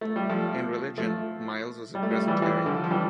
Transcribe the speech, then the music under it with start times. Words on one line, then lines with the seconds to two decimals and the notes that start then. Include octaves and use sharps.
In religion, Myles was a Presbyterian.
0.01 A3
0.16 G3
0.29 F3 A3
0.98 F3 A3
1.95 G3
2.03 A3
2.10 G3
2.19 A3
2.28 E3 G3
2.42 E3 G3
2.66 D3 F3
2.84 F3
2.91 E3 G3